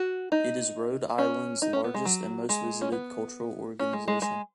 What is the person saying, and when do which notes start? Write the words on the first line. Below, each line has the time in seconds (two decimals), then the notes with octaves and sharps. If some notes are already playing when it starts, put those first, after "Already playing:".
It is Rhode Island's largest and most-visited cultural organization.
Already playing: F#4
0.32 D#4
1.18 C#4
1.62 D#4
1.73 C#4
1.84 B3
1.94 G#3
2.05 F#3
2.49 G#3
2.81 C#4
2.92 B3
3.79 C#4
3.93 G#3
4.08 G#3
4.22 G#3